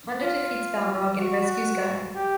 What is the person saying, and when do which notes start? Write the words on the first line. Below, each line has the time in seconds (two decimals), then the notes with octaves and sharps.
Honda defeats Balrog and rescues Guile.
0.22 F4
1.19 F#4
2.15 G4